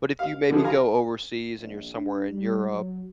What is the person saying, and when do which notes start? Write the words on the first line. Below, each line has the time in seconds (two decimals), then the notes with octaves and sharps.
But if you maybe go overseas and you're somewhere in Europe,
0.19 F5
0.50 D3 E3 F3 G#4
0.64 F5 G#5 A#5
1.56 A#1
1.94 D4
2.31 G3
2.72 F#3